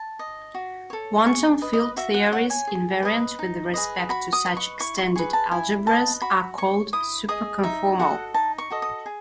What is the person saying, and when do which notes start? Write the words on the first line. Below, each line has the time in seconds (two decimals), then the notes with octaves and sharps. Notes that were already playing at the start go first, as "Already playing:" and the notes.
Quantum field theories invariant with respect to such extended algebras are called superconformal.
Already playing: A5
0.19 D#5
0.54 F#4
0.90 A4 C#5
1.26 G#4 C#6
1.62 B4 D#5
1.73 D#5
1.97 F#4 E5
2.14 F#5
2.32 C#5 F#5
2.50 G#5
2.67 G#4
3.03 B4 D#5
3.39 D#4
3.74 G#4 B4 D#5
4.09 F#4 B5
4.33 D#6
4.45 B4 D#5
4.57 C#6
4.80 E4 C#6
4.98 C#6
5.16 G#4 B4 C#6
5.33 A5
5.51 E4 G#5
5.86 B4 D#5 A5
6.22 F#4 B5
6.58 C#5 C#6
6.93 E4 D#6
7.28 G#4 D#5 D#6
7.63 D#4 E5
7.99 F#4 A4 D#5 F#5
8.34 D#4 A5
8.58 C#6
8.70 F#4 A4 D#5
8.82 D#6
9.06 G#4